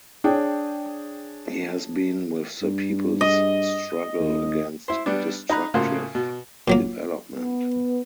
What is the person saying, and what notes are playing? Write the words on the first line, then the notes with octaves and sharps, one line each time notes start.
He has been with the people’s struggle against destructive development.
D4 G#4 C#5 G5
G2
D#5
D#2
E4 C5
G3 B3 D4
D#4 A#5 B5 F#6
A2 C#3 A#3 F4 F#4 C5
B2
A#2 F#3 A#3
B3